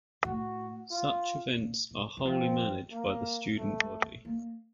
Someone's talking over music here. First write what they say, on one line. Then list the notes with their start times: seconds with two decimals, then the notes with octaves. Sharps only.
Such events are wholly managed by the student body.
0.24 A2 F#4
0.91 F4
1.57 A#2
1.91 B2
2.17 E3
2.25 F3 C4
2.91 A#3
3.57 G3 A3
3.80 G#3
4.02 C4
4.25 A#3